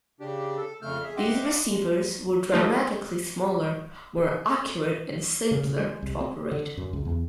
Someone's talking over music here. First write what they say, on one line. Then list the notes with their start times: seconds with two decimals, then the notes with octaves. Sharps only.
These receivers were dramatically smaller, more accurate, and simpler to operate.
0.20 C#3 D4 G4
0.57 A4
0.82 F2 C#3 A3 F6 G6
1.04 G#4 E5
1.17 D#5 E5 F#5 G5 C6 D6
1.67 G#3
2.52 E3 A3 D#4 F4
5.51 C#3
5.64 C#3
5.78 G#3
6.02 C2
6.21 C4
6.52 D3
6.77 F#2
6.93 C#2
7.05 E2